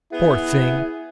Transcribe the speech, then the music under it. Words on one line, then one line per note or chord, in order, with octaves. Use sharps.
Poor thing!
B3 E4 G#4